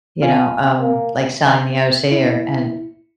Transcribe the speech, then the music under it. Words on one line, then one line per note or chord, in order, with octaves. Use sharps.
you know, um, like Selling the OC or and
F4 F5 G#5
A#3
E4